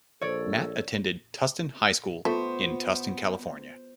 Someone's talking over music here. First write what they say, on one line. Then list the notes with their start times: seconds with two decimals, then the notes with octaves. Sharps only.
Matt attended Tustin High School in Tustin, California.
0.21 A#1 A4 C#5 D5
2.25 A3 B3 F4 C5 C#6